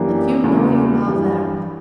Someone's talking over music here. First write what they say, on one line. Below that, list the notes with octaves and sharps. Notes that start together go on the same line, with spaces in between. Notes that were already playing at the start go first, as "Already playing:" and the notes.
"But you know you love her."
Already playing: F#2 E3 A#3 D4 G4
E2 C#3 F#3 A#3
G2 E3 G3